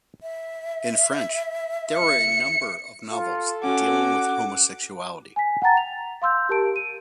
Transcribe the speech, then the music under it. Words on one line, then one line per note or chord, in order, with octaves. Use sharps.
In French there are a number of novels dealing with homosexuality.
E5
C#7
F4 A4
C#4 F#4 F#5 D6
G#5 B6
F#5 G5 A5 A#5 A6
F7
F5 C6 E6 G6
G4 A#4 A5 D7
D#7